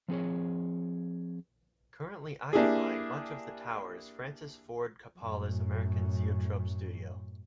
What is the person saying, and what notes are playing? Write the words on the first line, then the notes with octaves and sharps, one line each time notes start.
Currently occupying much of the tower is Francis Ford Coppola's American Zoetrope studio.
F3 C4 G#4 C#5
A#3 D4 E4 G4 G#4
F#2 A2